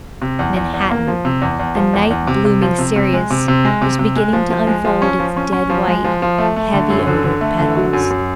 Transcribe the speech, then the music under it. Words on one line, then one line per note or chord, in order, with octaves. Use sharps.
Manhattan, the night-blooming cereus, was beginning to unfold its dead-white, heavy-odoured petals.
C3
E2
E2
E2
A#3
F3
C3
E2
E2
F3
E2
E2
C3
C3
F3
C3
C3
G#3
C3
C3
G#3
C3
C3
G#3
F3
F3
G#3
F3
C#4
F3
C#4
C#4
F3
G#3
F3
F3
A3
A3
D3
F#2
D3
D3
A3
D3
F#3
F#2
F#2